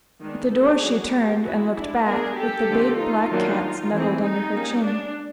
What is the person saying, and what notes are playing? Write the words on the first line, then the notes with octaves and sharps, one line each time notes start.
At the door she turned and looked back, with the big black cat snuggled under her chin.
D#3 G#3 B3 D4
G4 A4
F#3 B3 D4 F#4 G#4
F4 G4
E3 G#3 B3 E4 F#4
D4 E4
G3 B3 D4 G#4 A#4
G4 A4
D3 F3 A3 C4
D#4 F4
D#3 F#3 A#3 D4
E3 A3 C4
D#4
G3 A#3 C#4
D4